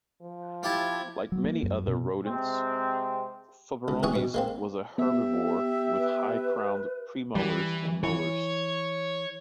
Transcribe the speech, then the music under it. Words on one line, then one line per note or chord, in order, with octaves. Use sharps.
Like many other rodents, "Phoberomys" was a herbivore with high-crowned premolars and molars.
F3
E4 F4 G4 A5 G#6
F#3
A#3
F#2
B2
C3 G#3 C4
C#2
C2 E3 G#4 C#6 D#6
B2
G#3 A#3 C4
B3 G4 E5
B4
E3 G3
E3 C#5